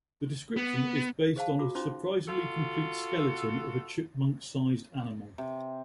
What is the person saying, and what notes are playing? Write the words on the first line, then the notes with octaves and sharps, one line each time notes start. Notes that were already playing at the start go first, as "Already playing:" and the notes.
The description is based on a surprisingly complete skeleton of a chipmunk-sized animal.
B3
G#4 C5 F5 A5
F4 F#4 D6
C#4 D#4 F4 C5 C6
F4 F#4 A4
C3